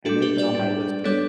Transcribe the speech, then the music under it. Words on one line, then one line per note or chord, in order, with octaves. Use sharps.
and they've been on my list for
G3 D4 F#4 A4
G4 B4
B4 D5
G3 D4
G3 B3 D4 A4 C#5